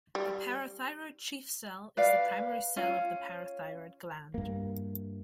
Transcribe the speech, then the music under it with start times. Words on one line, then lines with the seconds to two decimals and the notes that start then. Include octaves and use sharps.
The parathyroid chief cell is the primary cell of the parathyroid gland.
0.15 G3
1.97 B4 D5 F5
2.77 C#4 F4
4.34 G2 A#3